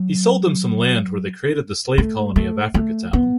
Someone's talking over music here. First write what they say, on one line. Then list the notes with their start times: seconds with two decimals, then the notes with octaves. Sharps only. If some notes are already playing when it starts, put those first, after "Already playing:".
He sold them some land where they created the slave colony of Africatown.
Already playing: F#3
1.98 A3
2.36 A3
2.74 A3
3.13 B3